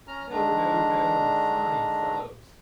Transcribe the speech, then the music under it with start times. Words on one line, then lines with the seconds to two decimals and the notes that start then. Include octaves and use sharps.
No, no, no! Fine fellows!
0.08 C#4 A#5 F6
0.30 D3 D#3 G#3 D4 A#5